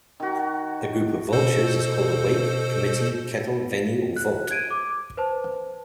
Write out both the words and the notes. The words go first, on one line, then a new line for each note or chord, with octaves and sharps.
A group of vultures is called a wake, committee, kettle, venue, or volt.
D#3 F#4
B2 A4 C5
F#6
G#6 D7 D#7
D6
B4 C5 A5